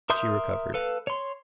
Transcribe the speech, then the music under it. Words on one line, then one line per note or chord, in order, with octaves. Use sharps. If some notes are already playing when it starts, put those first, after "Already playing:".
She recovered.
A#4 E5 C6 D#6 G6
A4 B4 F5
C#5 C6